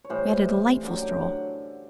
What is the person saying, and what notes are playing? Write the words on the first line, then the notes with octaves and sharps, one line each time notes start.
We had a delightful stroll.
C#5
A2 E3 G3 C5
F#2 D3 F#3 D5
G5
F#5